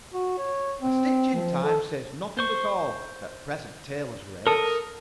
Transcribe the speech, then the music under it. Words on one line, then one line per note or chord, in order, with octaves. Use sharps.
"A stitch in time saves nothing at all at present tailors' rates."
F#4
C#5
C4
F3
A4
C5 C#6
A4 A#4 D#6